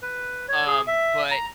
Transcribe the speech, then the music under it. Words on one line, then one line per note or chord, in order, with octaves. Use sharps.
um, but,
B4
C#5
G#4
E5
A#5